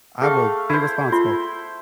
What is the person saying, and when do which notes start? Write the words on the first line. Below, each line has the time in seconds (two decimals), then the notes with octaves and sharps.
I will be responsible,"
0.22 A3 G#4 F5 G5
0.69 E4 C5
1.12 F4 C6